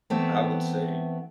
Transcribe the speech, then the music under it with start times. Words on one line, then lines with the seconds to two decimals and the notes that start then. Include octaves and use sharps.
I would say,
0.10 E3 A3 B3 C4